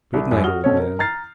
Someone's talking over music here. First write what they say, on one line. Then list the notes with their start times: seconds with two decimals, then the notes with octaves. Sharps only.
"Good-night, old man."
0.14 C2
0.31 C2 F#2
0.44 F#4 D#6 F6 G7
0.64 B2 C4 C#4 A4 C#5
0.80 A#4
0.99 A#5 F6 A6 C7